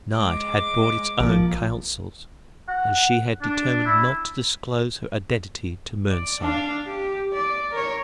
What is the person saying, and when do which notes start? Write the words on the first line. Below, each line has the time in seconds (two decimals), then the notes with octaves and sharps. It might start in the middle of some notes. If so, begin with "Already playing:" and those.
Night had brought its own counsels, and she had determined not to disclose her identity to Mernside.
0.15 G#3 D6
1.20 A#1 F3 A#3
2.68 F#5
3.42 D4
3.86 E4
6.09 D5
6.41 D4 F5
6.86 G4
7.33 D5
7.71 A#4 C#5